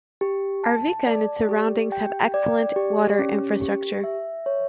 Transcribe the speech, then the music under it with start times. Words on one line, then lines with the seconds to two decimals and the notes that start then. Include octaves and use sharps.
Arvika and its surroundings have excellent water infrastructure.
0.21 G4
0.64 A5
1.07 D5
1.49 G4
1.92 G5
2.34 D5
2.76 G4
3.19 C#4
3.61 G4
4.04 E5
4.46 C#5